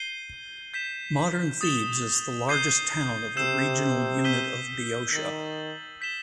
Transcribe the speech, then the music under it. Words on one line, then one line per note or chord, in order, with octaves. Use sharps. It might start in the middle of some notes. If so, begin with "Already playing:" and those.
Modern Thebes is the largest town of the regional unit of Boeotia.
Already playing: G6 C7 D#7 G7
G6 B6 E7
D#6 A6 E7 G7
G6 C7 D#7 G7
C3 E6 G6 C7 E7
E6 G6 B6 D#7 G7
D#3 A6 D#7 F#7
G6 B6 E7 G7